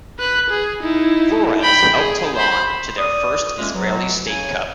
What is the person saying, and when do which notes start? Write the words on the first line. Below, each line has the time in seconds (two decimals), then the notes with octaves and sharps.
Flores helped Holon to their first Israeli State Cup.
0.19 B4 F#6
0.50 G#4
0.80 D#4 E4
1.62 G5 B5
1.94 G#4
2.36 C5 B5
2.98 D5 D#6
3.58 D3 E3 F3 G#3 A#3 C#4
3.74 B2 F#3
4.27 C#3 G#5